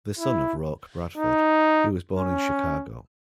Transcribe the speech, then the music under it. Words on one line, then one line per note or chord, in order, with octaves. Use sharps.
The son of Roark Bradford, he was born in Chicago.
E4
D#4
C#4